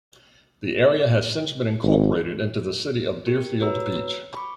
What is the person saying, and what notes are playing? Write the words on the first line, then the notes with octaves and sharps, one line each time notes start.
The area has since been incorporated into the city of Deerfield Beach.
G#1
G4 A#4
F#4 B4 C#5 A#5 E6
B5 C#6 D6